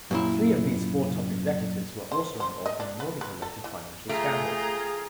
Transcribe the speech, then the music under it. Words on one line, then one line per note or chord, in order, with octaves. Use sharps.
Three of these four top executives were also involved in mortgage-related financial scandals.
F#2 A#2 E4
C5
C5
D#5
D4
B4
B4
A4
E3
A3 F4 G#4 G5 A#5